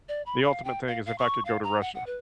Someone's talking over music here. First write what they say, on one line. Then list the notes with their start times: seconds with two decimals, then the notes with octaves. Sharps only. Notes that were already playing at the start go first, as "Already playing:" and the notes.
the ultimate thing is if I could go to Russia.
0.09 D5
0.26 B5
0.44 F5
0.64 G5
0.87 F5
1.06 F5
1.18 C#6
1.45 F5
1.63 A#5
1.81 F#5
1.95 F#5
2.07 B4